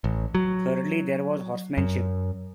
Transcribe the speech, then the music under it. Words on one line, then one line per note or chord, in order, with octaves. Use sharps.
Thirdly there was horsemanship.
A1
F#3
F#2